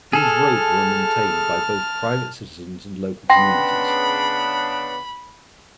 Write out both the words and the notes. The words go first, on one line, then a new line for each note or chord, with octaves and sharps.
These roads were maintained by both private citizens and local communities.
G#4 A4 A5 F6
C#3 B3 D4 G5 B5 C6 A#6